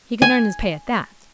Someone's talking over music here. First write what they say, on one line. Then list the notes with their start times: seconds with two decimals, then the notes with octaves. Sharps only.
He could earn his pay at that.
0.22 G#5